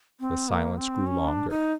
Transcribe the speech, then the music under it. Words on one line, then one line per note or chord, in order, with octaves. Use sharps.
The silence grew longer.
C4
A#3
C4
C#4
D4
D#4